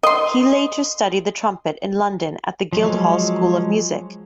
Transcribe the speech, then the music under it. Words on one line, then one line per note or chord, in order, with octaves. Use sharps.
He later studied the trumpet in London at the Guildhall School of Music.
D#5 C6
F3 F#3 G#3